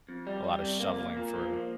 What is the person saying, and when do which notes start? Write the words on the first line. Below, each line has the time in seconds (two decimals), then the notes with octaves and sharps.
a lotta shoveling for
0.09 F2
0.27 G3
0.44 G3
0.62 C3
0.80 A#3
0.98 A#3
1.17 A#2
1.36 F3
1.53 A#2